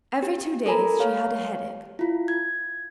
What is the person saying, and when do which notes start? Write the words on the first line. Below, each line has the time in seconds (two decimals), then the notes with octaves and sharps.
Every two days she had a headache.
0.22 G4
0.66 A4 A#4 G#5 A#5 B5
1.00 G4 C#5 F5
1.99 E4 F4
2.28 G#6